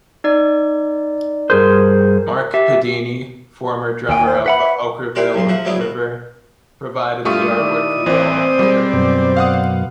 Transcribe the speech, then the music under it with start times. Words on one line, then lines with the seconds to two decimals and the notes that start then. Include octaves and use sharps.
Mark Pedini, former drummer of Okkervil River, provided the artwork for the album cover.
0.24 D#4 D5
1.50 G2 G#4 A#4 C5
2.54 G4 E5
4.09 D#2 G5 G#5
4.26 C5
4.46 B4 E5 F#5 B5
4.58 E5
5.15 D4 E4 G4 C5 D5
5.35 B1 G#2 C6
5.49 F3 E5 F#5
5.65 F#3 A3 B3 D4 E4 G#4
5.80 B2
7.25 G2 A3 F4 G4 C#6 D#6
7.58 D#3 E4 D5
8.06 A1 E3 C4 C5 D5
8.59 G3 G#3
8.93 F#2 B2
9.37 F5 F#5 D#6